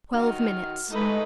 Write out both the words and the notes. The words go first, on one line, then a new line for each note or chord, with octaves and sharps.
Twelve minutes.
D#3 F#4 F6
G#3 A3 D#4 B4